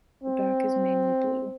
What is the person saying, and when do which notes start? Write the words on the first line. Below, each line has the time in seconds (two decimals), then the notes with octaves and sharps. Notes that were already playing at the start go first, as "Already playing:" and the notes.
The back is mainly blue.
0.23 C4